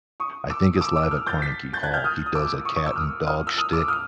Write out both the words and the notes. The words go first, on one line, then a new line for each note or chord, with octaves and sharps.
I think it's Live at Carnegie Hall; he does a cat and dog shtick
C#6 D#6
D6 E6
D#6
D6 E6
D6 E6
D#6 F6
G6 A6
A6 B6
G6 A6
F#6 G#6
F6 G6
D#6 F6
D#6
D6 E6
C#6 D#6
C#6 D#6
D6 E6
D#6 F6
D#6 F6
E6
D#6 F6
D6 E6
D#6 F6